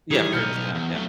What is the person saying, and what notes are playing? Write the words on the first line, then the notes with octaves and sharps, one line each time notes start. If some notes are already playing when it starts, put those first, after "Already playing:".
Yeah, fear of missing out, yeah.
D#3 E3 G3 G#4
B1 D#4 F6 G6 C#7
E2
A2 F#3